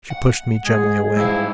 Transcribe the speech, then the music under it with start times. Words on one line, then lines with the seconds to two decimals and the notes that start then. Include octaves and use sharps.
She pushed me gently away.
0.10 F#5
0.65 G#3 G#4
1.16 G#2 G3 E4 G4 F5